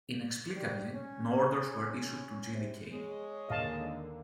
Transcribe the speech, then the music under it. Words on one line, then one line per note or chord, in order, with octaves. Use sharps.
Inexplicably, no orders were issued to G.d.K.
G3
C#4
C3
G#3 C#5
D#2 D3 A#3 D#5 F5 A5